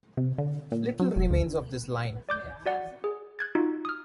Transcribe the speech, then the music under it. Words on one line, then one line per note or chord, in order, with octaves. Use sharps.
Little remains of this line.
C3
D3
A#2
F#3
F1
D2
D5 D6 G6
F#4 D5 F#5
G#4
F#6 G#6 A6
D#4 F4 F#4
D#6 F6